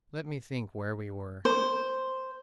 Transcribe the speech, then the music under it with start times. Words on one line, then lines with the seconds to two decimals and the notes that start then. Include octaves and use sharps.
LET me think where we were.
1.45 C5